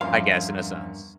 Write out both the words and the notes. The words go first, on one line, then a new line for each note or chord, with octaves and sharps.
I guess, in a sense.
E2 G2 F3 C#4 A#4 E5 F5 C6